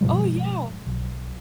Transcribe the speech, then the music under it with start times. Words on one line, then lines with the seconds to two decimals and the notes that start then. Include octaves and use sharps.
Oh, yeah.
0.01 G2 B2 F3 G#3
0.86 B1